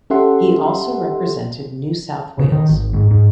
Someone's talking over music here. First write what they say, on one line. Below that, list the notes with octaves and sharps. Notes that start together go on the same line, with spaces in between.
He also represented New South Wales.
C#4 G4 A4 E5 F#5 C6
C#3
D#3
G#1
G#2
G#2